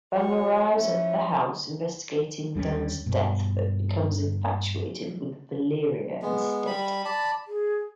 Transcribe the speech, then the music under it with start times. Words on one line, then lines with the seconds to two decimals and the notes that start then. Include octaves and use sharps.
Bung arrives at the house, investigating Dann's death but becomes infatuated with Valeria instead.
0.14 F#3 C#5
0.74 F3 C#4 E4
2.55 D#2 G3 A3 C#4
3.06 G2 B2
6.22 G#3 B3
6.67 G3 B5
7.05 D5 A5 B5
7.48 G#4